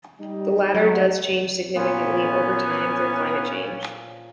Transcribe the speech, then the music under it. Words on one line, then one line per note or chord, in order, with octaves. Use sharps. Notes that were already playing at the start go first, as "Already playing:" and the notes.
The latter does change significantly over time through climate change.
G3 D#4
F#3
A#2 A#3 B3 C#4 C5 D6